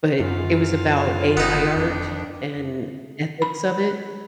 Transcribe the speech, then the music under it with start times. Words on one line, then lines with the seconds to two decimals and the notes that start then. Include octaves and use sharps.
but it was about AI art and ethics of it.
0.20 F#2 F4
1.37 F#1 B3 D#4
1.76 F2 D4
3.42 B5